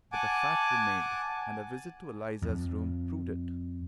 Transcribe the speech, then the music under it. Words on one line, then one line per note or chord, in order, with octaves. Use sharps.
But the fact remained, and a visit to Eliza's room proved it.
F#5 G#5 A5 D6
F2